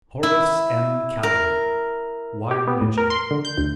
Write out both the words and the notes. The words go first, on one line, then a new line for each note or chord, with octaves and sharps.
HORACE M. KALLEN, "Why Religion?"
E4
A#4
G4
B3
A2
A#4
C6
D3
G6
D2